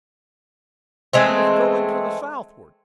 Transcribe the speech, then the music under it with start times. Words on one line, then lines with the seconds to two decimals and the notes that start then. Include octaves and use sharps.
"She is going to the southward."
1.13 E3 G#3 A3 C4